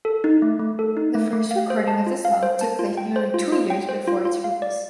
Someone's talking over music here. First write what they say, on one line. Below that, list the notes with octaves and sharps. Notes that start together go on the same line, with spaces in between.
The first recording of the song took place nearly two years before its release.
A4
D#4
A3
A3
A4
D#4
A3
A3
F5
C5
A5
F4
F5
C5
A5
F4
G5
C5
F4
F4
G5
C5
F4
F4
F5
D5